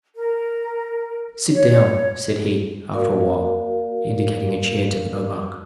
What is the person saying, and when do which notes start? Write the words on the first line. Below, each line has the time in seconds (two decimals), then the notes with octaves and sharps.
"Sit down," said he, after a while, indicating a chair to the nomarch.
0.15 A#4
1.51 C#5
2.92 A#3 F#4 A#4 D5 F5